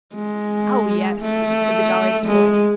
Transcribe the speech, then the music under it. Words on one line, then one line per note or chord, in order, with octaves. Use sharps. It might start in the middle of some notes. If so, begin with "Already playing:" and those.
"Oh, yes," said the jolliest boy.
G#3
A3
G#3